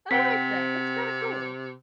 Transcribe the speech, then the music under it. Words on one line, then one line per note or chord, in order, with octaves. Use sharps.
I like that, that's kinda cool.
C3 C4 F#5 G5 B6